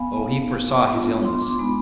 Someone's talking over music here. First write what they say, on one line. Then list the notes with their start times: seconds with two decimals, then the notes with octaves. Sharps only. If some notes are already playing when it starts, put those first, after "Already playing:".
Oh, he foresaw his illness!
Already playing: B3 F5 G#5 B5
0.23 B3 D#4
0.91 B3 D4 F4
1.25 C6
1.42 D6
1.59 G#3 B3 D#4 B5